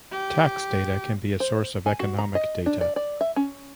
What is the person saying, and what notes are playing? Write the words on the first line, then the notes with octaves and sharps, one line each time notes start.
Tax data can be a source of economic data.
G4
C5
G#5
F#4
A#5
D#5
D4
D5
D5
E5
C#4